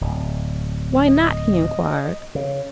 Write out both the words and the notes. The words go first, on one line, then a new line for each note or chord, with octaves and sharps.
'Why not?' he inquired.
D1
D#5
C#3